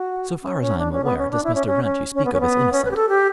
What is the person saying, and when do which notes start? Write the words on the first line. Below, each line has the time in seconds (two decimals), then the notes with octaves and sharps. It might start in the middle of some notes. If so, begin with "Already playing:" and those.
So far as I am aware, this Mr. Wrent you speak of is innocent.
Already playing: F#4
0.43 C#4
0.61 C#4
0.78 D4
0.92 C#4
1.04 B3
1.18 C#4
1.31 D4
1.44 E4
1.55 C#4
1.67 C#4
1.84 C#4
2.14 C#4
2.25 B3
2.33 C#4
2.41 B3
2.72 C#4
2.85 B4
2.91 G4
2.96 A4
3.09 G4